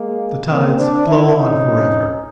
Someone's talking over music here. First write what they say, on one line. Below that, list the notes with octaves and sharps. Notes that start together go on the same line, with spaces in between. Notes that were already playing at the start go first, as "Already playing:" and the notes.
The tides flow on forever.
Already playing: G#3 A#3
A#3 C4
C4 D4
D4 E4
C#2 C3 F3 C#4 D#4